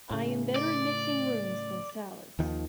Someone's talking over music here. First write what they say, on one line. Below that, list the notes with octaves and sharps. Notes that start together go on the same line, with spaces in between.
I am better at mixing rooms than salads.
A2 C#3
D5
D#2 D#3 F3